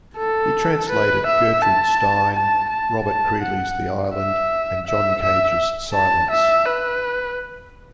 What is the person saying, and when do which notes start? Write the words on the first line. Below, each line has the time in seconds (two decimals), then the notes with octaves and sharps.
He translated Gertrude Stein, Robert Creeley's "The Island", and John Cage's "Silence".
0.18 A4
0.90 B4
1.27 E5
1.62 A5
2.34 A5
2.70 A5
3.06 A5
3.42 F#5
4.15 E5
4.87 E5
5.23 E5
5.94 A5
6.31 E5
6.66 B4